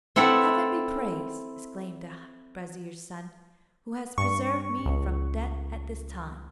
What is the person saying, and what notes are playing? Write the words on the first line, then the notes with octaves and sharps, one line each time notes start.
"Heaven be praised," exclaimed the vizier's son, "who has preserved me from death at this time!"
C4 E4 A4 F#5 B5
G2 C#6
C#2